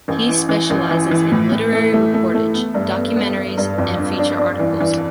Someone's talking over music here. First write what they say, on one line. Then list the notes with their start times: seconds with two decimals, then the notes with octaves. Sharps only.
He specializes in literary reportage, documentaries and feature articles.
0.08 A1
0.29 E3
0.49 E3
0.70 A1
0.91 E3
1.11 E3
1.31 A2
1.52 A2
1.72 A3
1.93 A3
2.14 A3
2.34 A3
2.54 B3
2.74 G2
2.95 B3
3.16 B3
3.37 B3
3.58 G2
3.78 F2
3.98 D4
4.19 D4
4.39 D4
4.59 E3
4.80 E3